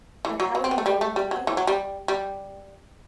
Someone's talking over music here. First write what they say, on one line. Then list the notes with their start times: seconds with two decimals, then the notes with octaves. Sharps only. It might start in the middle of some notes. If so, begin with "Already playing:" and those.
But how are you going to do it.
0.25 E3
0.40 F#3
0.55 F#3
0.64 C4
0.71 B3
0.78 A3
0.86 G3
1.01 A3
1.16 G3
1.31 F#3
1.47 E3
1.57 F#3
1.67 G3
2.08 G3